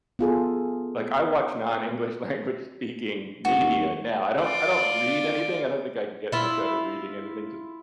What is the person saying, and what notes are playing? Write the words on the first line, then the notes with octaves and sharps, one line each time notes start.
like, I watch non-English language speaking media. Now, I don't I don't read anything, I don't think I can get much out of reading anything, just
B3 F4 G#4 A4
G1 F#4
D#2
F4 D5
E4 F4